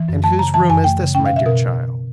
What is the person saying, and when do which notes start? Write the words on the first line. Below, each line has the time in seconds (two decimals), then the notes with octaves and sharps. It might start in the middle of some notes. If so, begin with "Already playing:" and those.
"And whose room is this, my dear child?"
Already playing: E3
0.09 F#2
0.23 A3 A5
0.39 C#3 A#5
0.54 E3 A5
0.69 F#2 G#5
0.84 A3 G5
1.00 C#3
1.15 C#4 G5
1.26 B2 F5
1.36 E5
1.46 B2 A#4